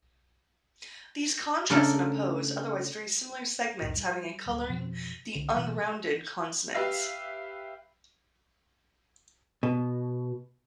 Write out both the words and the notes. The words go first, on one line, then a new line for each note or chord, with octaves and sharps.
These contrast and oppose otherwise very similar segments having or coloring-the "unrounded" consonants.
C#3 A3 D4 A4 A#4
C2 F2 A2 D#3
G3
D1 G3
F1 B2 F3
C2 D3 C4
B2 E3 G3
G4 B4 E5 F5
B2